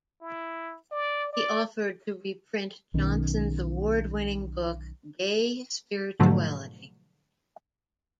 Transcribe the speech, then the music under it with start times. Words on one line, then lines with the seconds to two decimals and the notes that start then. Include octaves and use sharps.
He offered to reprint Johnson's award-winning book, Gay Spirituality.
0.21 E4
0.92 D5
1.33 D5
2.94 B1 D#3 C#4
6.20 G#2 B2 D3 F3 F#3 A3